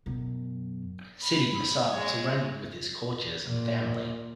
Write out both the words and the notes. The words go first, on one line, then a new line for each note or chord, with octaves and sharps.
Siddi Musud surrendered with his courtiers and family.
F#2 B2
B5
G#3 C#5
A#2